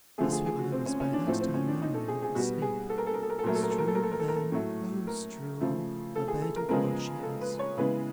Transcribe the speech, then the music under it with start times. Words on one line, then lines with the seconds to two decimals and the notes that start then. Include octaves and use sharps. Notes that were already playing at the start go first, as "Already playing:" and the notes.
Mr Swiveller was by that time murmuring in his sleep, 'Strew then, oh strew, a bed of rushes.
0.18 D3 F3 A3 G#4
0.32 G#4
0.46 G#4
0.59 F#4
0.72 C4
0.86 C#4
1.00 C#4
1.13 D4
1.27 A2 F3 A3 C4
1.40 C4
1.54 C#4
1.68 D4
1.82 D#4
1.94 A4
2.08 G#4
2.22 G#4
2.35 B2 G3 B3 F#4
2.62 G#4
2.90 A4
2.98 A#4
3.06 A4
3.14 A#4
3.22 A4
3.30 A#4
3.39 A4
3.43 A#2 F#3 A3 A#4
3.55 A4
3.62 A#4
3.71 A4
3.78 A#4
3.88 A4
3.95 A#4
4.03 A4
4.12 A#4
4.19 A4
4.28 A#4
4.36 A4
4.52 A2 F#3 A3
5.07 A#4
5.60 C#3 F3 A3
6.16 A4
6.28 G#4
6.42 A4
6.56 A#4
6.69 C#3 F3 G#3 B3 A#4
7.23 A4
7.41 B4
7.59 C#5
7.77 C#3 E3 G#3 B3 B4